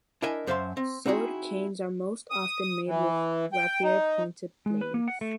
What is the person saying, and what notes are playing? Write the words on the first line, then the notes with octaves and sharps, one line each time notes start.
Sword canes are most often made with rapier-pointed blades.
D4 E4 A#4 D#5 E5 G#5
F#2 C5 E5 F5 A5 C6
C4
C4 D#4 E4 F#4 G#4
D#6
D#6
E3
G5
D#4
G#3
B4
A#3
F#5
A3